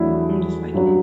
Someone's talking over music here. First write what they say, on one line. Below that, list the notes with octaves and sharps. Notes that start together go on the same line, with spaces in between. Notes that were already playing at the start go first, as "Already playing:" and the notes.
I'm just like it
Already playing: E2 F#3 A3 D4 E4
G2 F#3 C#4